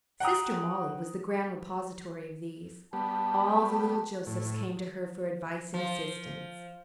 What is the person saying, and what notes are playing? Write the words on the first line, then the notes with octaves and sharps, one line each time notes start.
Sister Mollie was the grand repository of these; all the little Josephs came to her for advice and assistance.
F#5 G5 A#5 D#6
G3 B3 A5
A2
F3